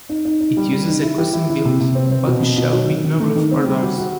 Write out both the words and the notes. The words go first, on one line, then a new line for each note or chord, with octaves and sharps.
It uses a custom built bodyshell with no roof or doors.
D#4
D#4
D#4
G3
G3
D#4
E4
G4
E4
E4
C3
C3
C4
C4
B2
B2
B2
F#3
D#3
D#3
A3
D#3
C4
G3
F#4
F#4